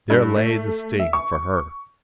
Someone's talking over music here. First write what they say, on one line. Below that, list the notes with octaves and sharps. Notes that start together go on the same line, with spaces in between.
There lay the sting for her.
G2
A3
E5
C#6